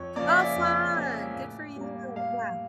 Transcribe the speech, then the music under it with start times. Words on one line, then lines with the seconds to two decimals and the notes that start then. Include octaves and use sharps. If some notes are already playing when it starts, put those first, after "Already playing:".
Oh, fun! Good for you. Yeah.
Already playing: F2 C#5
0.16 C#3 F3 A#3 D5
0.28 E5
0.39 D5
0.56 F2
0.96 C#3 F3 A#3
1.36 A2
1.76 G3 A#3
2.16 A2 F5